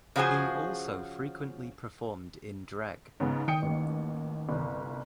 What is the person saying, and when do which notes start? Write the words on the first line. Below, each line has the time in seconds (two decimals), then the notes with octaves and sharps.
He also frequently performed in drag.
0.16 C#3 F3 F#4 G#4 C5 G#5
3.20 G#2 C#3 B3
3.48 D#3 G5 D#6 C#7
3.62 A1 D#2
4.49 G1 C2